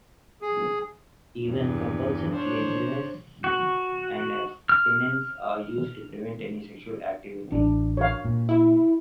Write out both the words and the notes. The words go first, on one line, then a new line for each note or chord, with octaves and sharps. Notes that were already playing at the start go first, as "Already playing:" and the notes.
Even compulsive cleanliness and abstinence are used to prevent any sexual activity.
G#4
E2 G2
D4 C5 C#5
F#4
F6
A1 D4
C#5 F5
A#2
E4